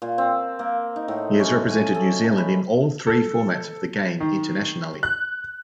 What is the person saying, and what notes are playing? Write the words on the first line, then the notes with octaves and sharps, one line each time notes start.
He has represented New Zealand in all three formats of the game internationally.
A#2
C4
A#3
D#4
A2
C#4
G#5
A4
B5
A4
D#3
F#6